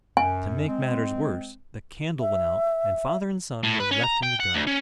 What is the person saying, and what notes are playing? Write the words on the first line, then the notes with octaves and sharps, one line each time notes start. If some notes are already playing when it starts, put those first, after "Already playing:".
To make matters worse, the candle went out and father and son were left in the dark.
F#2 G#5
G#3 C4
E5
A2
B4
C#4
A#5
G5
F#5
D2
C#4